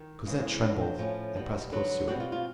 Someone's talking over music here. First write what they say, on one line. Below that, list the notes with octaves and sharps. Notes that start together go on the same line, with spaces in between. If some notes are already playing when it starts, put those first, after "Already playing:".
Cosette trembled and pressed close to him.
Already playing: D#3
C#3 E3 G#3 C4
A#2 F#3 B3 D4 B4
C5
A2 F3 A3 C#4
B2 G3 B3
D3 F#3 B3 B4
B2 G3 C4 F#4
F4
F4